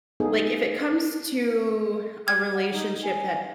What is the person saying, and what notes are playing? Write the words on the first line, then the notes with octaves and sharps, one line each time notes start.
like, if it comes to, a relationship that,
B3 D#4 G#4 A4
G#6
F#5
D#4
G#5